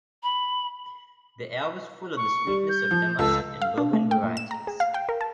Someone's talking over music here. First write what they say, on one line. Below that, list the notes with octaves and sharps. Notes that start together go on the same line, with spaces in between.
The air was full of the sweetness of Damask and Bourbon varieties.
B5
C#6
G3
G6
F3
C#2 A4 E6
F5
D4
A3
G5
A#2
E7
A#5
G#4
F5
G5
A#4
A5